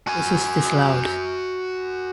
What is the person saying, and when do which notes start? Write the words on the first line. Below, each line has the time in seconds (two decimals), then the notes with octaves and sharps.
This was disallowed.
0.07 F#4 G#5